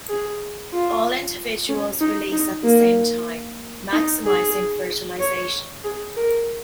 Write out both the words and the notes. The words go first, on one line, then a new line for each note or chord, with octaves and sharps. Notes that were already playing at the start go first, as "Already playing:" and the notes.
All individuals release at the same time, maximising fertilisation.
G#4
F4
C#4
D#4
D#4
A#3
D#4
G#4
C#5
G#4
A#4